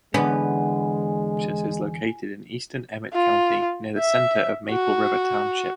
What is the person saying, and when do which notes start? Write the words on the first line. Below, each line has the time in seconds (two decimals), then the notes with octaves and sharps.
Brutus is located in eastern Emmet County, near the center of Maple River Township.
0.14 E2 D3 G#3 B3 C#4 G#5
3.13 F4
3.98 E5
4.70 F#4